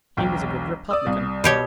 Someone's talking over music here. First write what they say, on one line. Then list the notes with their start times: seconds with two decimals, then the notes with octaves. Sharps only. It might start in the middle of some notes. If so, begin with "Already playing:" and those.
He was a good "Republican."
0.17 E1 B1 G5
0.91 D5 D#6 E6
1.06 C2
1.44 B2 G4 C#5